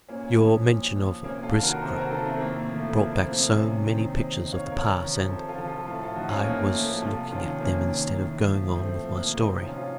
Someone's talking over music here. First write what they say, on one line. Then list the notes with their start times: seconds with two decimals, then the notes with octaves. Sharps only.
"Your mention of Biskra brought back so many pictures of the past, and--I was looking at them instead of going on with my story."
0.09 A#2 A#3 C#4
0.38 F3
0.67 A#2
0.96 F3
1.24 C3 A#3 C#4
1.43 F4 A4
1.53 D#3
1.63 F#4 A#4
1.82 C3 A4 C5
1.96 F#4 A#4
2.11 D#3 F4 A4
2.25 A3 C4
2.40 A2 A#3
2.60 A#3
2.69 F3
2.78 A3
2.98 A2 A#3
3.13 A#3
3.17 A3 C4
3.26 F3
3.36 A3 C4
3.56 C3 A#3 C#4
3.84 D#3 C4 D#4
4.13 C3 C4 D#4
4.42 D#3
4.52 C#5 F5
4.71 C3 A#4 C#5
5.00 F3
5.29 C3 A4 C5
5.48 F4 A4
5.58 F3
5.67 F4 A4
5.86 A2 F4 A4
6.01 F4 A4
6.15 F3 D#4 F#4
6.30 C#4 F4
6.44 A2 A#3
6.59 A#3
6.73 F3 A3
6.88 A#3
7.02 C3 F4 A4
7.31 D#3 C#4 F4
7.60 C3 A#3 C#4
7.89 D#3
8.18 A2
8.48 F3
8.75 A2 A3 C4
8.95 A3
9.05 F3
9.15 A#3
9.33 C3 A3 C4
9.48 C4 D#4
9.62 F3 C#4 F4
9.78 C#4 F4